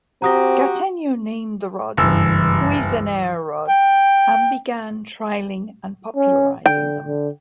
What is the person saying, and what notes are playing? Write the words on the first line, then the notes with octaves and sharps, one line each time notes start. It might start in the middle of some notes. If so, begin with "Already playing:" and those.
Gattegno named the rods "Cuisenaire rods" and began trialing and popularizing them.
C4 F#4 G4 A#5 D#6 A#6
F#1 C#2 G2 E3 E6
G5
C#4
D3 G5
D3